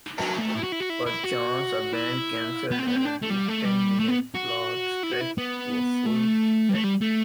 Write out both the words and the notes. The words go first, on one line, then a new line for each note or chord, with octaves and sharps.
Perchance a band cancelled and Ayub's ten-minute slot stretched to a full set.
F#3
A3
E4
F#4
E4
F#4
E4
E4
F#4
E4
B3
C4
B3
C4
D4
A3
G3
A3
G3
A3
B3
F#4
E4
F#4
E4
B3
A3
G3
A3
G3
A3